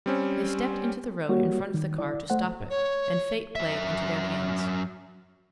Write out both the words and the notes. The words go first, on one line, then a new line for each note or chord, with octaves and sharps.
They stepped into the road in front of the car to stop it, and fate played into their hands.
G3 C4 C#4
G3 A#3 F#4 C#5
D#3
E4 D5
A3 C5 F#5
C#5
F#2 E5